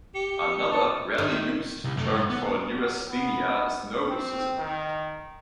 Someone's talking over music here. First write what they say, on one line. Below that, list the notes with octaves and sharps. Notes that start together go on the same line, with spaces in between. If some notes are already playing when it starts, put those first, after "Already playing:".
Another, rarely used, term for neurasthenia is nervosism.
G4 C#7
A5
D#3
C2
F#2 A3
G#2
B3
F#3
B3
C4
D#3